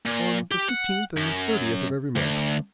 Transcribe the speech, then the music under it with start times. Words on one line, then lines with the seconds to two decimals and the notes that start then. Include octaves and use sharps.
"On the fifteenth and thirtieth of every month."
0.06 A#2
0.52 G4
0.69 F#5
1.17 F#2
2.16 D2